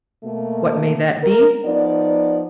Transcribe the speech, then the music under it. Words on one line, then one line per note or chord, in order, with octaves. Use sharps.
What may that be?
B2 A3 A#3
A#4
F3 B3 D#4 D5